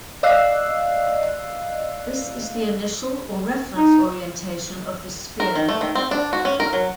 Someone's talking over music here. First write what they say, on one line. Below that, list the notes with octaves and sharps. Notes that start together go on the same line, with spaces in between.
This is the initial or reference orientation of the sphere.
D5 D#5 F5 E6 F#6 C7
D#4
A#4
D#3
A3
D#3
C4
D4
F#4
C#4
A#4
F#3